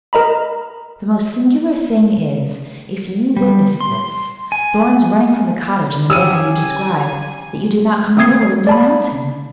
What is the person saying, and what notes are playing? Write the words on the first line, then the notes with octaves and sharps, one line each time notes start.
"The most singular thing is, if you witnessed this, Thorn's running from the cottage in the manner you describe, that you did not come forward and denounce him."
A#4 D#5 A#5 B5
G3
C6
G#5
C#4 G4 G#5 E6 D#7
A3 A#3 C4 D#6 G#6 C7
D5 A5 B5